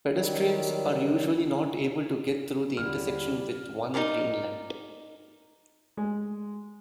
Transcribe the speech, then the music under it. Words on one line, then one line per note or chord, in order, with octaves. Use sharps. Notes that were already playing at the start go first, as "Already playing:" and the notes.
Pedestrians are usually not able to get through the intersection with one green light.
D#3 F#3 G3
D#2 D3 G3 E4 F6
D#4 G#4 A#4 D5
G#3